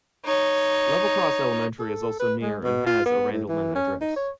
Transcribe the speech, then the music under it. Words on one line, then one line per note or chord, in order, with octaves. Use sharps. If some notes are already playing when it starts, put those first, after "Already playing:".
Level Cross Elementary is also near and has a Randleman address.
D#4 C#5
A4
B4
G#3
B2
F4
B3
A2
E3
C#4
D#4
C#5